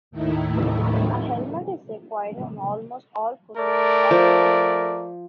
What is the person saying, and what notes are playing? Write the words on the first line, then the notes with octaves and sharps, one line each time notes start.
A helmet is required on almost all courses of any size.
D#2 A2 D#3 A3 D#4 E4
A3 A#4 D5
F3